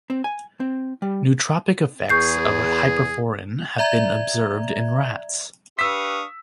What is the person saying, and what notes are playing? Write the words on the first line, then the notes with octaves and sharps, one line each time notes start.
Nootropic effects of hyperforin have been observed in rats.
C4
G#5
C4
G3
E2 G#4 C#6 G6 C7
D5 E5 A#5 G#6
D4 G4 B4 F5 C#6 D#6 E6 B6